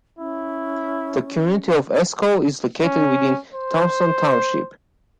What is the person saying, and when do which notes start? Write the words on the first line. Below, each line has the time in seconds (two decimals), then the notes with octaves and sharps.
The community of Esko is located within Thomson Township.
0.18 C#4 E4
2.83 C#4
3.55 C5